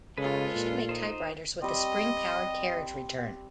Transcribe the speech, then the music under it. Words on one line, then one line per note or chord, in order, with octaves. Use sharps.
They should make typewriters with a spring-powered carriage return.
C#3 G#3 F4 A4 B4
A#2
D#4 C5
G3 C4 D#5